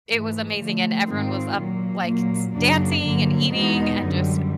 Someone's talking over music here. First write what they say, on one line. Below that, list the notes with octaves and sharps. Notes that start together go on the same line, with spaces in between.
it was amazing, and everyone was up, like, s dancing and eating and just,
G#2 E3 A3
D3 F3 A3
G#2 D#3 G#3 C4 F4
A#2 F#3 A#3
A#2 F#3 A#3
F#2 C#3 F#3 A#3 D4
G2 D3 F#3 A#3
E2 B2 G#3 B3 D#4
F#2 D3 G3